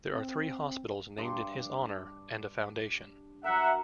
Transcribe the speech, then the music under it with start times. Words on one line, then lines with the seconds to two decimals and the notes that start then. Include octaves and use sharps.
There are three hospitals named in his honor and a foundation.
0.11 C4
1.17 G2 D4 C6
3.44 F#3 A#4 E5 F#5